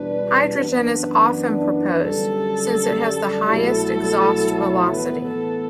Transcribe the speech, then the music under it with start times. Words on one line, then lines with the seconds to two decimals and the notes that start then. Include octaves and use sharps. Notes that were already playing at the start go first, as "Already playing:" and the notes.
Hydrogen is often proposed since it has the highest exhaust velocity.
Already playing: E2 B2 G3 D4 B4
0.57 F#2 E3 B3 D4
2.01 F#2 D3 G3 A4
3.46 C2 B2 F#3 A3 E4 A4
4.90 A2 E3 B3 B4
5.27 A4